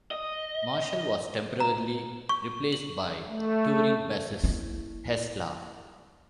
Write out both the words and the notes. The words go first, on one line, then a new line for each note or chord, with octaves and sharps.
Marshall was temporarily replaced by touring bassist Hestla.
D#5
A#5
C#6
F#7
A3
A#3 E4